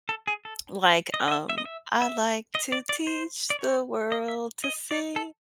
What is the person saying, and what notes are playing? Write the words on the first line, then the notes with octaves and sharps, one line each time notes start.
like, um, "I like to teach the world to sing
A4
G#4
A4
D#5
D#5
E5
E5
D#5
E5
E5
D#5
D5
D5
C5
D5
C#5
D#5
E5
D#5
D5
A4